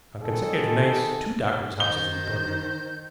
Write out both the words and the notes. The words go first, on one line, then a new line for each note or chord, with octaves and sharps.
On consecutive nights two doctors' houses were burgled.
B2 D#3 G#4 A4
D#3 C5 G6 G7